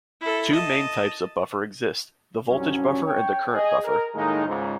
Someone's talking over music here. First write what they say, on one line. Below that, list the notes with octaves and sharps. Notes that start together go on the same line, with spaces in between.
Two main types of buffer exist: the voltage buffer and the current buffer.
E4 A4
D#5 A5
C2 G2 F#3 C#4
C#5 G5
G#4 D#5
A#4
A2 D#3 G#3 A#3 D#4
C#2 G#2